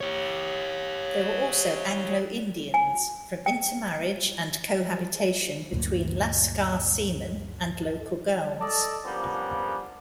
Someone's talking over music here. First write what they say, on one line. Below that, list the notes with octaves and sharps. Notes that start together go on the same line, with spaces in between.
There were also Anglo-Indians, from intermarriage and cohabitation between "lascar" seamen and local girls.
G4 C#5
G#5
G5
D2 G2 A#2 F#3
A4 D5 D#5 A5
F3 G3 A#3 B3 C#4 D4